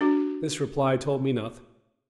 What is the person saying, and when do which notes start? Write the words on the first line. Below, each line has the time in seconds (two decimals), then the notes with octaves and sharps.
This reply told me nothing.
0.01 D4 F#4